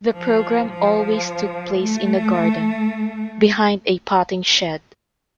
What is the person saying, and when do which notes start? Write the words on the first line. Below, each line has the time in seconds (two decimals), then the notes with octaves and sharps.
The programme always took place in a garden, behind a potting shed.
0.12 F3
0.69 F3
1.80 A3